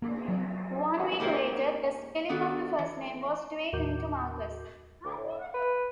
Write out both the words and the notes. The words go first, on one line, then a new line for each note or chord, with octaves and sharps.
One week later, the spelling of the first name was tweaked to Marcus.
A#3
F#3
G#2 A#3 G4 A#4 C#5
D#3 B3 D4 F#4 A4
E3
D#2 A2 F#4 A#4 D6 G6
D2
A2
B4